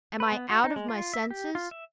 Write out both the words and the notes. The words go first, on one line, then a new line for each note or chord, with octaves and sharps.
Am I out of my senses?
B4
B3
F#4
D#4
G#3
F4
E5
G4
F4
E5